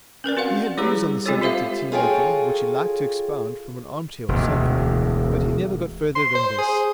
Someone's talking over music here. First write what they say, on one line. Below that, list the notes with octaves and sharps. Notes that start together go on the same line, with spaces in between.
He had views on the subject of tea-making which he liked to expound from an armchair or sofa, but he never got further than this.
C#4 A#4 B4 D5
C4 F#4 D5 F5 F#5
G3 E4 G4 G#4 B4 A#5
G#3 C4 F4 G4 A4 C#5
F4 G4 C5 E5 F5
F4 F#4 G#4 A4 C#5 G5
E1 D2
C6
C5
G#4